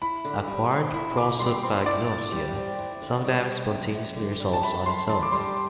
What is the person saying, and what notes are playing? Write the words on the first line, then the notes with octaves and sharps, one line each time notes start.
Acquired prosopagnosia sometimes spontaneously resolves on its own.
E4 B5
D3
G3
C4
E4 B5
D3 D6
G3 C6
C4 C6
E4 D5
D3
G3
C4
E4
D3
G3
C4
F#2
F#2
D3
G3
A5
F#2 B5
F#2 C6
D3 A5
D6
G3 C6